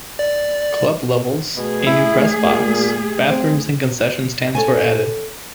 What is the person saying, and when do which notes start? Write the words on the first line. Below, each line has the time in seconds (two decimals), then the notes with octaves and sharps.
Club levels, a new press box, bathrooms and concession stands were added.
0.19 D5
1.56 B2 A3 G#4
1.86 E4
2.45 A#2
3.30 C4
4.55 A4 C#5 G#5